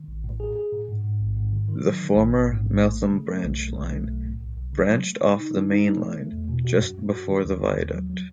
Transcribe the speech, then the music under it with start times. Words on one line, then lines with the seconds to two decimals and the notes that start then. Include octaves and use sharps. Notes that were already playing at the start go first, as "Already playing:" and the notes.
The former Meltham branch line branched off the main line just before the viaduct.
Already playing: D#3
0.08 A1
0.24 A2
0.40 G#4
0.56 G#4
0.72 A2
0.89 G#2
1.04 G#2
1.20 A1
1.37 G#2
1.52 D#3
1.68 D#3
1.84 F#3
2.01 D#3
2.17 A1
2.33 A1
2.49 G#2
2.64 A1
2.81 A3
2.97 A3
3.13 C#3
3.28 A3
3.44 B1
3.60 B1
3.77 B1
3.93 A3
4.09 B1
4.25 A2
4.41 B1
4.57 B1
4.73 C#3
4.89 F#3
5.05 A3
5.21 C#3
5.37 D#4
5.53 D#3
5.69 D#4
5.85 A3
6.01 A3
6.17 A3
6.33 E2
6.49 B2
6.65 F#4
6.81 F#2
6.97 F#2
7.13 F#4
7.29 D#3
7.45 D#2
7.61 D#3
7.78 D#2
7.93 F#3
8.09 F#3